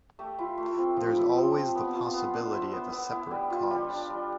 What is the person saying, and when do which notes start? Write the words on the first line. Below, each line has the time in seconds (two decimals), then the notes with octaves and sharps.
There's always the possibility of a separate cause.
0.19 A3 G4
0.38 E4 F4
0.58 A3
0.77 C4 F4
0.96 F3 G4
1.16 E4
1.36 F3 C5
1.56 C4
1.75 B3 D5
1.95 F4
2.14 B3
2.34 D4
2.53 E4 C5
2.72 B3
2.92 B3 D5
3.12 E4
3.31 G3
3.50 F4
3.71 G3
3.90 D4
4.10 G3